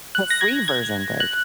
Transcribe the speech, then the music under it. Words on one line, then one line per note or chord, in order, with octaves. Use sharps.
The free version did,
F#6
A#6
G#6
G#6
F#6